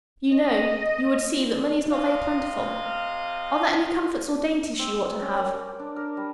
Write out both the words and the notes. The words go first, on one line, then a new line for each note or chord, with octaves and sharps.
'You know--you would see, that money is not very plentiful; are there any comforts or dainties she ought to have?'
D#5
C3 D#5 F5
C4
C#4
A#4
D6
D4
A#4
G3